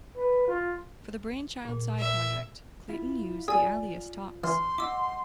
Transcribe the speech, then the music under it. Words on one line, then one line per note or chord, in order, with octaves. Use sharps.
For the Brainchild side project, Klayton used the alias Tox.
B4
F4
A#2
E5
E4 F4
F4 G#4 D5 G#5
E3 C6 F6
E4 D#5 F#5 D6 E6